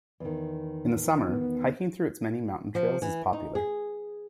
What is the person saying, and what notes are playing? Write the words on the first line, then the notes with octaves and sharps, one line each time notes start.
In the summer, hiking through its many mountain trails is popular.
E2 D#3
B3
F3
E3
D#4
G#4